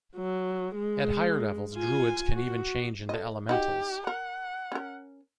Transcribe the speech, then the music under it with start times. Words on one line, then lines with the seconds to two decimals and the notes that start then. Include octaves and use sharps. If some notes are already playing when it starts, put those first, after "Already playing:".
At higher levels Druids can even change into elementals.
0.16 F#3
0.75 G#3
1.74 F4 G#5
2.32 F#4
3.09 A4 D#5
3.49 D#4 F#4 G4
4.07 A#4 F#5
4.72 C#4 A#4